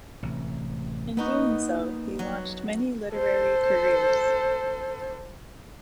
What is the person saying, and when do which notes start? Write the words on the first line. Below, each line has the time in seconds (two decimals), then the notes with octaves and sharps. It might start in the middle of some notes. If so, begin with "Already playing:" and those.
In doing so, he launched many literary careers.
0.23 A1 C3
1.17 A#3 B3 D#4 F#4
2.19 F#3
3.13 A4 C5